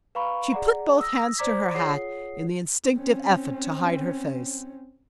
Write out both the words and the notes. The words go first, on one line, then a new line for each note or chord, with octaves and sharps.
She put both hands to her hat in the instinctive effort to hide her face.
B4 F5 A#5 B5 C#6
G#4 D5 F#5 A#5
D#6 E6 A#6
C5 D5 A#5 D6 G#6 B6
F4 G#4 C#5 F#5 D#6 C7
C4 C#4